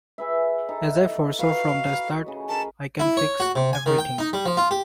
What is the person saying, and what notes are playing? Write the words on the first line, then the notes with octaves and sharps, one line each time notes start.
As I foresaw from the start, I can fix everything.
G#4 B4 E5
D#4 E4 A4
F#4 B4 F5
C#3 D#5
A#4 F5 A5 B5
E4
C#5
F#4
C3
G#5
D#3
G5
D#4
G3
F3
F4
G4